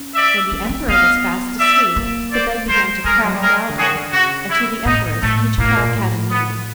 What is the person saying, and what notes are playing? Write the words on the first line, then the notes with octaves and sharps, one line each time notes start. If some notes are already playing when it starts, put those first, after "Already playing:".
When the emperor was fast asleep, the bed began to crack loudly, and to the empress each crack had a meaning.
Already playing: C#4
D5 E5
C#4
B3
C4
B3 D#5 F5
D5 E5
A#3
C5 D5
G#3 A#4 C5
G#3 G#4 A#4
G3
F#3
G3
G#4 A#4
D3
D#3 F#4 G#4
D3
C#3 F#4
E4
A2 D#4
A2 A3
A2 A#3
A#2
A2
B3